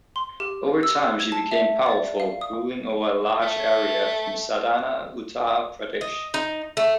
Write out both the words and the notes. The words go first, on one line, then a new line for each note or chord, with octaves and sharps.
Over time, she became powerful, ruling over a large area from Sardhana, Uttar Pradesh.
C6
G4
E6
G#6
A5
E5
D5
F5
D#6
A3
D#5
D#4
A3